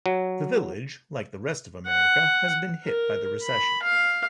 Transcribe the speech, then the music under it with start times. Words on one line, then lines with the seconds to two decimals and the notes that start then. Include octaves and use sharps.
The village, like the rest of America has been hit by the recession.
0.06 F#3
1.87 F#5
2.84 A#4
3.43 B5
3.82 F5